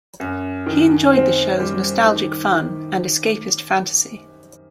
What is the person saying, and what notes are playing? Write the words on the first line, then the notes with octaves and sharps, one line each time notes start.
He enjoyed the show's nostalgic fun and "escapist fantasy".
F#2
D#3
C4
G3
D#3
D#3